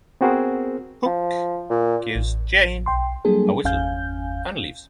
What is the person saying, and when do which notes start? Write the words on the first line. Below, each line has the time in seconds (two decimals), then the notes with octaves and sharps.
Hook gives Jane a whistle and leaves.
0.21 B3 C4 F#4 G#4 A#4 C5
1.06 F3
1.70 A#2
2.15 A1
2.86 B1 G5 C6
3.25 F#3 G3 A#3 D4 G#4 A4
3.64 G1 E2 C#4 F5 G#5 G6